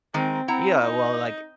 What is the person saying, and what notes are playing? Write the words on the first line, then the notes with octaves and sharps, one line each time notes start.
Yeah. Well, like
D#3 G#3 C4 D#4
C4 E4 F#5 A#5
D#4